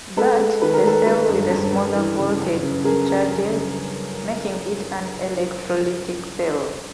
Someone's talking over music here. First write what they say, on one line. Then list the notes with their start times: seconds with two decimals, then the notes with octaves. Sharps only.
But, the cell with the smaller voltage charges, making it an electrolytic cell.
0.17 G#3 A4 B4
0.40 G#3
0.62 D#3 B4
0.74 A#4
0.84 G#3 A4 B4
1.06 G#3 A4 B4
1.29 G2
1.51 G2
1.73 G2
1.95 E3
2.18 C#3
2.39 F#2
2.63 C#3
2.84 F#2 G#4 A#4
3.06 F#2
3.28 F#2
3.51 C#3